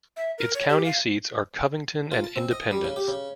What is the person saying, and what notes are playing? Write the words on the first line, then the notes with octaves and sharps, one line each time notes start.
Its county seats are Covington and Independence.
E5
A#4
C#5
G4
F5
F4
A5
C4
D#5
G3
C#3
G4
C#3